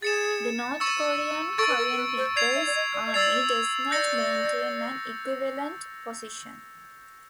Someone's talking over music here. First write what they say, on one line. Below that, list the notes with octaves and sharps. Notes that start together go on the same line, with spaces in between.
The North Korean Korean People's Army does not maintain an equivalent position.
G#4 A6 C#7 E7
C#6 E6 A6 C#7 E7
A4 C#6 E6 A6 D7
B4
A#4
A#4
B4
C5
D5 G#6 C7 F7
E5
D5
D#5
D5
D#5
D5 E6 A6 C7 F7
D5 G6 A#6 C#7